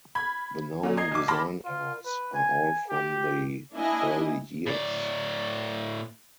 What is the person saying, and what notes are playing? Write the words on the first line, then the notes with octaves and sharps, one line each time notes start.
The known design errors are all from the early years.
B5 G#6
A#2 D3 F#3
D#5 A#5 G#6 C7
A#1 D6
A5 B5 C6 D6 F6 A#6
F4
B4
G#5
G4
A#3 D4 E4 D#5 G#5
A2 D5